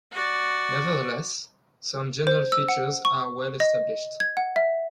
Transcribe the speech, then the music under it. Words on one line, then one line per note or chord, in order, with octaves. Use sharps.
Nevertheless, some general features are well established.
F#4 D5
C5
E6
F#5
C#6
D#5
G#6
F#5
E5